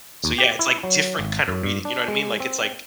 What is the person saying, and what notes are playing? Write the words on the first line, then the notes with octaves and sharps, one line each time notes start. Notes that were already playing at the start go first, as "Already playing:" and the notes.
So, yeah, it's, like, different kinda reading, you know what I mean, like, it's, like
D#2
G4
E4
F#3
G#1
F#2
G2
D4
G#3
C4